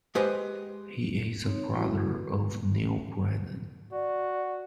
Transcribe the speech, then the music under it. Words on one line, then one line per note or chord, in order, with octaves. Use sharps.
He is the brother of Neal Brennan.
G#3 G4 B4 C5 D#5
C4 D#4 C#5
G3 E4 F#4
B4
F#4 D5